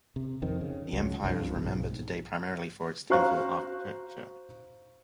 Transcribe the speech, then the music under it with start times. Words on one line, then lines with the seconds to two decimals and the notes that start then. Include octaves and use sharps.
The empire is remembered today primarily for its temple architecture.
0.16 C3
0.42 F2 D#3 C4
0.61 C#3
0.93 C#2 F#3
1.24 C2 G2 F3
1.56 B1 G#2
3.10 F#4 C5 F5 A#5 C#6 F#6